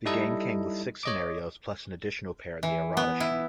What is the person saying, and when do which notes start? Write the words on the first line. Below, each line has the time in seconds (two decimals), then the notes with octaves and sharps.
The game came with six scenarios, plus an additional pair in the errata sheet.
0.06 G3 D#4 E4 A4 D#5
1.03 C#5 D#5 D6
2.63 E3
2.97 B3
3.20 E4